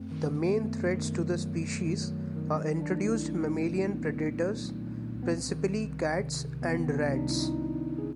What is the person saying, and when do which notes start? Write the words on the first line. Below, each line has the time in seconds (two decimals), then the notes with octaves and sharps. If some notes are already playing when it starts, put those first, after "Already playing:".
The main threats to the species are introduced mammalian predators, principally cats and rats.
Already playing: F#2 A3 C4
0.11 D#3
0.28 D#3
0.45 A3 B3
0.63 F#2
0.80 F#2
0.98 D#3
1.16 F#3
1.33 F#3
1.50 F#2
1.68 A3
1.85 D#3
2.02 F#3
2.20 F#3
2.36 D#3
2.47 C4
2.53 F#3 C#4
2.71 C2 D4
2.82 D4
2.89 A3 D#4
3.06 C2 E4
3.23 A3 C4
3.41 A#2
3.57 A3 C4
3.76 F#3
3.93 C2 B3
4.10 F#3
4.27 A#2
4.45 A3
4.62 F#3
4.80 A#2
4.97 A#2
5.14 C2
5.22 B3
5.32 C2 C4
5.49 D#3
5.66 C2
5.84 C2
6.01 D#3
6.18 C3
6.36 C3
6.52 C2
6.62 B3
6.70 D#3 C4
6.88 C3
6.93 C#4
7.05 C2
7.12 D#4
7.17 D4
7.23 C2
7.29 E4
7.40 C2 D#4
7.58 C2
7.75 C2
7.98 G#4